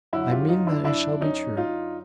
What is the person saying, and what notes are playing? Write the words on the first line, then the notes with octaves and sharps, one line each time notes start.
I mean that it shall be true.
F#2 D3 F#3 E4 F#4
F4 G4
D#4 F4
D4 E4
D4 E4
C#4 D#4
D#4 F4